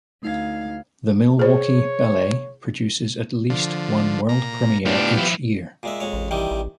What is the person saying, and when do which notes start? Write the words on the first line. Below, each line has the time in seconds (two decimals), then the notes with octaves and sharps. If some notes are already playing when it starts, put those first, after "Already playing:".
The Milwaukee Ballet produces at least one world premiere each year.
0.23 D2 A3 D#4 F5 G#6
1.39 G#4 C5 C#5
3.50 D3 F3
4.29 A#2 A#5
4.86 A2 B3 D4 F4 G4
5.17 F3 E4
5.83 A#2 G#3 E5
6.00 F2 G#3 C#5
6.13 A1
6.31 D#3 E3 G3
6.51 A1